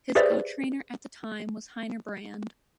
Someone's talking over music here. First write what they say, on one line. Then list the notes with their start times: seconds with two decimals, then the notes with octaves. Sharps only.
His co-trainer at the time was Heiner Brand.
0.15 G4 G#4 B4 C5 D5 E5